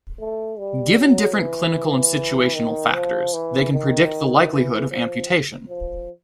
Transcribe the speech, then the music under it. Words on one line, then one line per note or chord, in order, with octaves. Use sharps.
Given different clinical and situational factors, they can predict the likelihood of amputation.
A3
G3
F#3
E3
D#3
F3
E3
D#3
E3
F3
F3